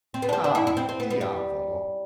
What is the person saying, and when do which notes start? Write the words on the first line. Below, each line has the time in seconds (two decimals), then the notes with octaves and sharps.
Ah! diavolo!
0.14 C4
0.22 B3
0.29 D4
0.33 C4
0.44 D4
0.55 E4
0.67 E4
0.77 C4
0.89 C4
1.00 B3
1.11 B3
1.21 G3